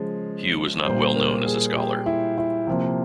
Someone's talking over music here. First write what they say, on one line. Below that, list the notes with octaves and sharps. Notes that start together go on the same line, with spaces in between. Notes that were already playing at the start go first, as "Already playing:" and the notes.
Hugh was not well known as a scholar.
Already playing: C#3 F3 G#3
A#2 G3 A#3 C5
A#4
G#4
G4
E4
E4
C3 F3 A#3